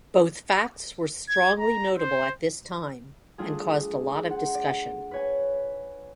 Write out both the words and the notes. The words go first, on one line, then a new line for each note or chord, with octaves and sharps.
Both facts were strongly notable at this time and caused a lot of discussion.
G#6
A#5
C5
G3 A3 D4 F4 G#4
C5 F#5
D5
B4 C#5 G#5